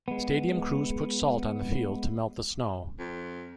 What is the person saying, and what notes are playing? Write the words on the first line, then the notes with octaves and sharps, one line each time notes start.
Stadium crews put salt on the field to melt the snow.
G#3 B3
F2